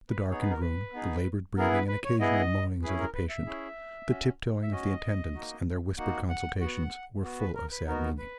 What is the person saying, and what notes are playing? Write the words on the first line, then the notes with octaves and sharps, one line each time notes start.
The darkened room, the labored breathing and occasional moanings of the patient, the tip-toeing of the attendants and their whispered consultations, were full of sad meaning.
B4
B3 D#4 G#4 C#5
B4
A#4
B4
B3 D#4 G#4
B3 E4 G#4 A#4
B4
B4
C#5
B3 E4 G#4 D#5
C#4 E4 G#4 B4
A#4
B4
E5
C#4 E4 G#4
C#4 F#4
E5
C#4 F#4 D#5
A#3 D#4 F#4
A#3 D#4 F#4 F#5
F#5
B3 F#4 F#5
B3 F#4
B4
A#4
B4
B3 D#4 F#4 A#4
B4